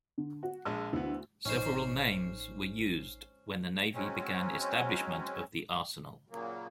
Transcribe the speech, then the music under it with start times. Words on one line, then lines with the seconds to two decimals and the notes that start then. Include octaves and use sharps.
Several names were used when the navy began establishment of the arsenal.
0.18 D3
0.43 F#4
0.65 A#1 G#3 E6
0.93 D2 E3 B3
1.45 A1 C#4 D#4 C5 C7
3.94 F#3 G#3 C4 C#4
6.30 A#2 C#3 F#3 A#3